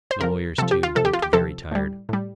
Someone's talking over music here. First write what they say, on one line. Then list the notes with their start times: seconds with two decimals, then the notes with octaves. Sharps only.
The lawyers, too, looked very tired.
0.11 C5
0.20 C3 F3 A#4
0.58 C3 F3 A4
0.71 G4
0.83 F4
0.95 C3 F3 A4
1.05 G4
1.13 F4
1.22 G4
1.33 C3 F3 A4
1.71 A2 G3
2.09 A2 G3